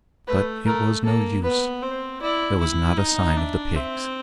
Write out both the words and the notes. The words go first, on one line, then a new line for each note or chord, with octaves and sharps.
But it was no use; there was not a sign of the pigs.
A3 B4
A3 A#4
A#3 A4
B3 B4
C4 C5
E4 D5
E4
D#4 D#5
D4 E5
C4 E5